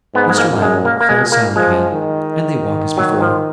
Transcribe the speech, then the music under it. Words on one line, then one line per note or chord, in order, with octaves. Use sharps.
Mr Lammle falls silent again, and they walk as before.
G#2 B3
G#3
A#3
F#2
G#3
A#3
A#3
G#3
A#2
A#3
F3 G#3
D#3
F#3
F3